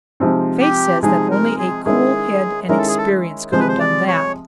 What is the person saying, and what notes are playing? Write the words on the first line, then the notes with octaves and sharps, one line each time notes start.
Faye says that only a cool head and experience could have done that.
C3 F3 G#3 C4 D#4
G4
C3 F3 G#3 C4 D#4 G#4
A#4
G#4
D#3 G#3 C#4 E4 G#4
D#3 G#3 C#4 E4 A#4
A4
G#4
A4
C3 F3 G#3 C5
B4
C5
D5
C#5